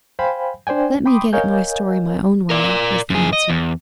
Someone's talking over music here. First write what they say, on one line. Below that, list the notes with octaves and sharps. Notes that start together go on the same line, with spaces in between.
'Let me get at my story my own way,'was the answer.
C5 F5 G5 G#5 B5
D4 C5 D5 G5 G#5
G5 B5 C6 D6 D#6
A#4 C#5 D#5 F5 G#5 G6
A#4 D5
F#2 G#4
D#5
E2